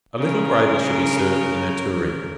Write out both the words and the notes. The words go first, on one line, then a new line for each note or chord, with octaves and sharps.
A little gravy should be served in a tureen.
C#3 A#4